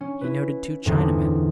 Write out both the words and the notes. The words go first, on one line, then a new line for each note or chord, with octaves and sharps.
He noted two Chinamen.
C#4
E4 B4
E2 A2 D3 G3 C4 D#4